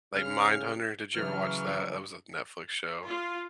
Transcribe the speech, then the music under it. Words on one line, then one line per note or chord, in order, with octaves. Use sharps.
like Mindhunter, did you ever watch that? That was a Netflix show.
C#3 F6
C#3 E3 F#3 B4 F6
F4